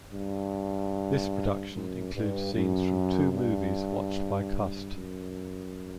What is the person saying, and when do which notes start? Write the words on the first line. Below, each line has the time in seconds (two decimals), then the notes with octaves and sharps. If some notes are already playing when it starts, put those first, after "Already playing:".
This production includes scenes from two movies watched by Cust.
0.13 G2
1.74 F#2
2.14 G2
2.55 F#2
3.34 G2
4.95 F#2